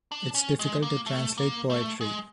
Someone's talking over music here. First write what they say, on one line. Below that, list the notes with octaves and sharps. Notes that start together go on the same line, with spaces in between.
It's difficult to translate poetry.
D4
C#4
G#3
A#3
A3
A#3
A3
G#3